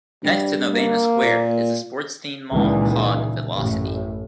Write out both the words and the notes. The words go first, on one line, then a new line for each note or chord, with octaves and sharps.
Next to Novena Square is a sports-themed mall called Velocity.
G2 G3
A#3
A#2
C#2 A#2 D#3 E3 G#3
A1 F#2 A2